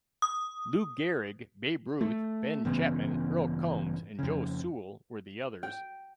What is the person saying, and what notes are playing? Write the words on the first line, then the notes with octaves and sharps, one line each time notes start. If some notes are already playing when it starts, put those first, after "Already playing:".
Lou Gehrig, Babe Ruth, Ben Chapman, Earle Combs and Joe Sewell were the others.
D#6
A3
A1 G2 C#3 B3
F2 C#3
G5